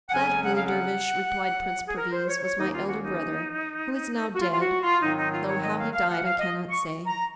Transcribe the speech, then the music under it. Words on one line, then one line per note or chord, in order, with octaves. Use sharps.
"That, holy dervish," replied Prince Perviz, "was my elder brother, who is now dead, though how he died I cannot say."
F#5
F2 C#3 F#3 C#4 G#5
F#5
F5
F#5
G#4
A#4
C5
C#5
C#5
D#2 D#3 A#3 C#4 D#4
F4
F#4
D#4
F#4
F4
F4
F#4
F4
G#2 D#3 F#3 C4 D#4
D#4
F4
C#5
D#5
F5
F5
F#5
F5
D#5
C#6
A#5